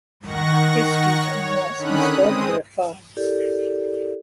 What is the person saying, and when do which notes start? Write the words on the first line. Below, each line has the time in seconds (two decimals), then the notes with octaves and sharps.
His teacher was a Mr. Brefhard.
0.25 D#3 F#5 C#6 A#6
1.21 C#5
1.77 D3 D#3 C#4 B5 D#6 F#6
2.20 G#3 C4 D#6
3.17 E4 G4 A4 A#4 D5